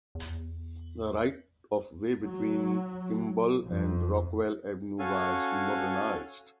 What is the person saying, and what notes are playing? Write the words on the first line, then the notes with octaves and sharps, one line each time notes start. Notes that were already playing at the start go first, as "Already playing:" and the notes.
The right-of-way between Kimball and Rockwell Avenue was modernized.
E2
F#3
F2
C#4 F#4 A4 F5 G#5